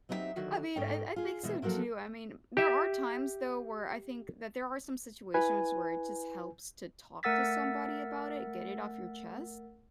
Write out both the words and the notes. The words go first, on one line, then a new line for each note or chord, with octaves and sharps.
I mean, I I think so too, I mean, there are times, though, where I think that there are some situations where it just helps to talk to somebody about it, get it off your chest,
F#3 C4 D#4 E4 G4 E5
D3 D#3 F#3 F#4
G#2 G#3 A3 C#4 C#5 G5
F4 G#4
B2 E3 G#3 E5
F3 F#3 A#3 F#4 A4
G4 E5
E4 B4 G#5
A3 A#4 F#5 E6 A6 B6